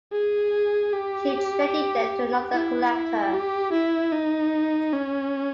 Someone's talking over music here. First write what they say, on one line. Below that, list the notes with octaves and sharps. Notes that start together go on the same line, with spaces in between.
She traded them to another collector.
G#4
G4
E4
G4
E4
D#4
C#4